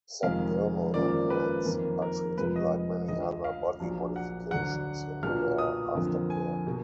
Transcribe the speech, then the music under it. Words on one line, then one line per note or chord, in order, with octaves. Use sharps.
Subdermal implants are treated like many other body modifications in their aftercare.
F1 F2 D#3 G#3 F5
G#1 F#2 F3 A#3 F4 D5
B4
F2 D#3 A#3
A#4
F1 F2 F3 G#3 B4
D#5
D2 D3 F3 D#5
F5
A#1 A#2 F#3 D4 F4
F#5
D2 D3 F#3 D4 F#5
B1 A#2 F#3 B3 D4 F6
D#6
F2 D3 F3 A#3
G#5
B2 A#3